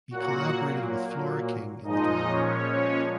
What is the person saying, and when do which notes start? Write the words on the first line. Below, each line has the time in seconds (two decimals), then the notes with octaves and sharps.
He collaborated with Flora King in the drama.
0.11 A#2 F#3 A#3 F#4 F#5
1.84 A#2 F3 G#3 D#4 D#5
2.27 C#4 C#5
2.71 C#4 C#5